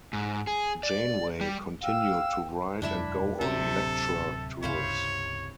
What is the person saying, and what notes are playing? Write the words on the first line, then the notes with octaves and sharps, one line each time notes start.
Janeway continued to write and go on lecture tours.
G#2
G#4
D5
G3
F5 G5 E6
E1 F#2 G#3 D4 E4 E5
D1 C3 F#3 D4 A4
C#2 G2 C#3 E4 C5 C#5 F5